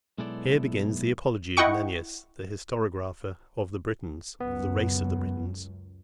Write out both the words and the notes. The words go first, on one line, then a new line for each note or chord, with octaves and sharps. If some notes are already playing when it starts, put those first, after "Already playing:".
Here begins the apology of Nennius, the historiographer of the Britons, of the race of the Britons.
B1 G#3 B3 E4 A4 D5
E4 D#5 F#5 G5 C#6 C#7
C#2 F#2 B3